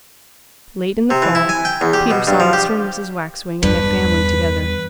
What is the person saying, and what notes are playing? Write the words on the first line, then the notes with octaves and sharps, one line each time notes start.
Late in the fall Peter saw Mr. and Mrs. Waxwing and their family together.
C3
E3
E4
G#5
G5
E2
G4
B2
G2
F3
G4
E2 G2 B4